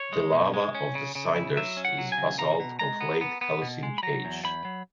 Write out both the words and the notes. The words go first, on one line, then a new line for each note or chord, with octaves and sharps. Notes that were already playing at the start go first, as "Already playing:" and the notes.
The lava of The Cinders is basalt of late Holocene age.
Already playing: C#5
G#3
B2
G#3
C#4
C#3
C#3
E4
F#3 E5
C#4
F#5
F#3
G#5
C#3
B2 A#5
B2
G#3 A#5
B3
B3
B3
B2
G#3
B5
F#3 A#5
E2
E2 B5
F#3